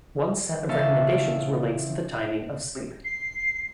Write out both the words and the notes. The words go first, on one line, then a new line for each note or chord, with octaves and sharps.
One set of recommendations relates to the timing of sleep.
E2 C#3 E5 F5 A5
C7